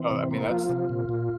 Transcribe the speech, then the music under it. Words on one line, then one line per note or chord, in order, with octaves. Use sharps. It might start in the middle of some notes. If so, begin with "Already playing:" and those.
Oh, I mean, that's
Already playing: E3 C4
C3
A#3
E4
F3 F4
C3
A#2
A#2